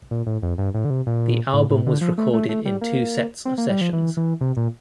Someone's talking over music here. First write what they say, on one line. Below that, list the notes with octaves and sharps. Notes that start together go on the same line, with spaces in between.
The album was recorded in two sets of sessions.
A#2
A2
F2
G2
A2
D3
C3
A#2
A2
A2
D3
F3
A3
A3
A3
G3
A#3
C4
A#3
G3
F3
E3
E3
C3
A#2